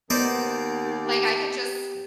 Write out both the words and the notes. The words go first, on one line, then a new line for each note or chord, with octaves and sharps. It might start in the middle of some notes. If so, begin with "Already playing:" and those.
like, I can just,
D#2 B3 D#4 C5 D5
G4